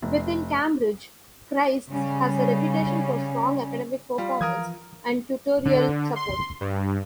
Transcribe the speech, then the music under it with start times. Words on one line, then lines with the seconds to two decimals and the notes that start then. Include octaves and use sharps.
Within Cambridge, Christ's has a reputation for strong academic performance and tutorial support.
0.02 F1
1.92 C#3 G3 C#4
4.18 G3 F4
4.41 E3 F3 A#4 D#6 G#6
5.65 D3
6.16 C6
6.61 G2